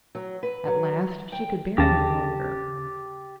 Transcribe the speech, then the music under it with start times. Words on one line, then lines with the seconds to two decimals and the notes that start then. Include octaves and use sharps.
At last she could bear it no longer.
0.15 F#3
0.43 B4
0.67 F#3
1.32 G5
1.78 D#2 C#3 G4 A5 A#6